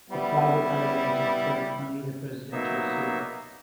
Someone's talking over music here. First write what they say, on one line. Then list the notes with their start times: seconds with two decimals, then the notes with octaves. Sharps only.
A private elevator served only the Presidential Suite.
0.10 G3 B3 E4
2.52 F#3 A#3 B3 D#4 E5